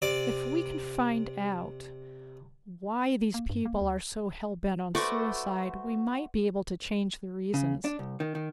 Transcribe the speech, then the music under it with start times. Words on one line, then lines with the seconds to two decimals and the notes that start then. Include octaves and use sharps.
If we can find out why these people are so hell-bent on suicide we might be able to change the reasons.
0.02 C3 D5
3.34 A#3
3.49 G2
3.65 A#3
3.81 D2
4.95 A3 F#4 B4 C5 D5
7.54 C#3
7.85 D4
7.99 C2
8.20 D#3
8.35 D#3